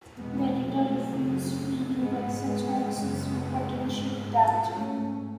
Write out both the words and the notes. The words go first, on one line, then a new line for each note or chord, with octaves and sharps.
The editor refused, feeling that such hoaxes were potentially damaging.
E2 B2 G#3 B3
F#3 A3
F#2 C#3 F#3 A3
G#2 G#3 B3
G#3 B3
F#2 C#3 G#3 B3
G#2
G#2 A3 C#4